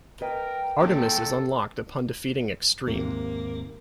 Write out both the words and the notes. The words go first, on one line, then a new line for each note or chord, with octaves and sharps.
Artemis is unlocked upon defeating Extreme.
A#4 B4 D#5 G5
E2 A#2 D#3 A4
D#2 G#2 C3 A#3